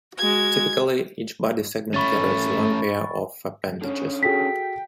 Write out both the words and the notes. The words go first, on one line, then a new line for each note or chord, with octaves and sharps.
Typically, each body segment carries one pair of appendages.
G#3 F#4 G#6
A3 C#4 B5 C#6 A6
D3 C#4
F#4 G#4 A4 G5 B6